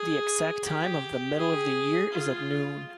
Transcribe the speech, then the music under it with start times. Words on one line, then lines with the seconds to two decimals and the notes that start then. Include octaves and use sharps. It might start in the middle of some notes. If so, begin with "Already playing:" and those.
The exact time of the middle of the year is at noon.
Already playing: G#4
0.65 G4
1.38 G#4
2.13 F4